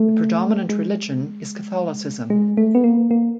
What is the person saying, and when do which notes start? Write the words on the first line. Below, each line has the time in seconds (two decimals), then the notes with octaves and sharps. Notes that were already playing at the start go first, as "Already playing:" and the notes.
The predominant religion is Catholicism.
Already playing: A3
0.69 G#3
2.30 G#3
2.57 A3
2.75 B3
2.84 A#3
3.11 A#3